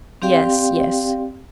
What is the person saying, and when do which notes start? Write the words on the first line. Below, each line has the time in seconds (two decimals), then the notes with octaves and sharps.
"Yes, yes."
0.22 C4 G4 D5 F5 G5 C6